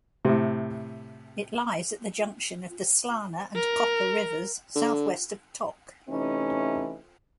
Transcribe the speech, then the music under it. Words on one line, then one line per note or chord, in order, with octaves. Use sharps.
It lies at the junction of the Slana and Copper rivers, southwest of Tok.
A2 C3
A#4
D3
C3 E3 A3 C#4 D#4